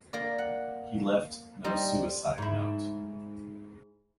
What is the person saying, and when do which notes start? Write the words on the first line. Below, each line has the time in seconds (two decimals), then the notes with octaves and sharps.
He left no suicide note.
0.13 A#3 A#4 D5
0.38 F#5
1.64 G3 D#4 C5
2.38 G#2 E4